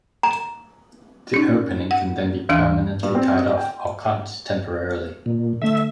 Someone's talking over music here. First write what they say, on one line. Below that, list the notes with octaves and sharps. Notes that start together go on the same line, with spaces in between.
The opening can then be permanently tied off or clamped temporarily.
A#5
C#4 D#4
F#5
D#2 E3 D4 F5
G2
C4
D#5
G5
A#2
D3 A3 E5